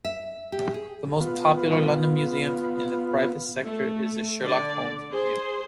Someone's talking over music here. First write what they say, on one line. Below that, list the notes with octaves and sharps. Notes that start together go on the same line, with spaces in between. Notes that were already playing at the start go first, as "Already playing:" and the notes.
The most popular London museum in the private sector is The Sherlock Holmes Museum.
E5
G4
G#4
B3 F4
A3
D3 D5
G#4 C5